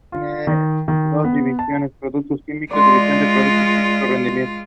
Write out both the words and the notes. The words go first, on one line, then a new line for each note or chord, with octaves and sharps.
The design of the Shapur Cameo combines both Roman and Sasanian styles.
F4
D#3
D#3
B3
A5
G#3 F4 D5 C6